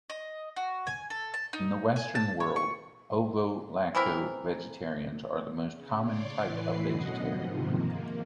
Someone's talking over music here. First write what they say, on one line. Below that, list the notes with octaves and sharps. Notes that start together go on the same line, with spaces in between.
In the Western world, ovo-lacto vegetarians are the most common type of vegetarian.
D#5
F#4
G#5
A4
A5
D#4
G#5
A5
C#5
C#6
E3 C4 E4 A#4
C#3
C#5 D5 C6 D6
A2 E3 B4 C7
F#2 B2 D3 D#5 F#5
G#2 C3 D#3 F3
A#3